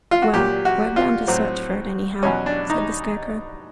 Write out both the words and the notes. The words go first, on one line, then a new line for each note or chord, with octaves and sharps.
"Well, we're bound to search for it, anyhow," said the Scarecrow.
F4
F#4
A#2 F#3 G4
F#4
F4
A2 F#3 C4
E2 B2 F#3 C#4
D4
D#4